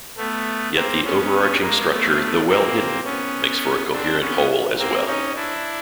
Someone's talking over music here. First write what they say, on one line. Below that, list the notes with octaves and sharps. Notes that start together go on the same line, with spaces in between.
Yet the overarching structure, though well hidden, makes for a coherent whole as well.
A3 B3
A#3 C4
B3 C#4
G#3 A#3
A3 B3
A#3 C4
B3 C#4
C4 D4
B3 C#4
A#3 C4
C#4 D#4
D4 E4